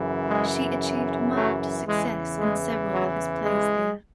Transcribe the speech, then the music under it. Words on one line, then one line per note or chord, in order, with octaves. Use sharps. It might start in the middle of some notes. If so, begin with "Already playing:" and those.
She achieved marked success in several of his plays there.
Already playing: F#2 C#3 E3
G#3
F#3 A3
E2 C#3 E3 G#3
G#3
F#3
G#3